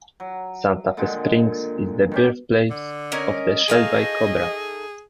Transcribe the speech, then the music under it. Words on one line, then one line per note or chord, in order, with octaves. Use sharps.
Santa Fe Springs is the birthplace of the Shelby Cobra.
F#3
A#2 D3 D#3 G#3
D#3 C#4 G4
D3
C#4 A#4 D#5 G#5
A3 D#4 G#4 D#5 F5